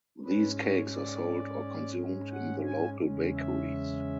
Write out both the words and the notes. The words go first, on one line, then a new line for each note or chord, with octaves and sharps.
These cakes are sold or consumed in the local bakeries.
G#2 G#3 C#4 B4
C#5
D5
F#5
G#5
E2 C#3 G#3 C#4
E5